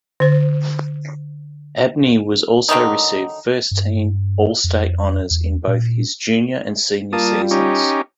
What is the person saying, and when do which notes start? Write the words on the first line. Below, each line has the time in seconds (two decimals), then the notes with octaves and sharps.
Abney was also received first-team all-state honors in both his junior and senior seasons.
0.20 D3 C5
2.69 D3 D#3 F#3 D#4
3.71 G2
4.64 F2
5.31 E2
5.67 A#2
7.13 G3 A#3 F4 A5 D#6
7.51 C#4 D#4 G4